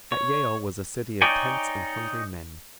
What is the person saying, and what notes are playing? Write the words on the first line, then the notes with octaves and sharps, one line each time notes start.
At Yale was a city of tents and hungry men.
C#5
D#4 C#5 D5 G5 G#5